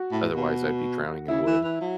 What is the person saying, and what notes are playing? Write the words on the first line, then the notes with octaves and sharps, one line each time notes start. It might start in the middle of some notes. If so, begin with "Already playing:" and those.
otherwise I'd be drowning in wood.
Already playing: F#4
A2
B2
C#3 E4
E3
E3
F#3